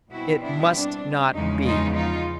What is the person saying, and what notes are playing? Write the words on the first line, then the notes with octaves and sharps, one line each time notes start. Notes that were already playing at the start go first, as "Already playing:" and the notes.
It must not be!...
B2 G3 C4 E4 F#4
D4 E4
D4
E2 C#3 F3 G#3 D#4
D#4 F4
D#4 F4